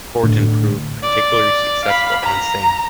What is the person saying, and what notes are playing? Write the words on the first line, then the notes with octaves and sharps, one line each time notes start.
Kuerten proved particularly successful on sand.
A2 D3
D5
F5 B5
A#5